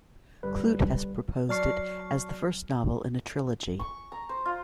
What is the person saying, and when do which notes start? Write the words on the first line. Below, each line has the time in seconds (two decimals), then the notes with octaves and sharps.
Clute has proposed it as the first novel in a trilogy.
0.43 G1 G3 B4
1.49 F#3 D5 A5 C#6 F6 C7
3.79 C#6
4.12 A#5
4.29 C5
4.45 F4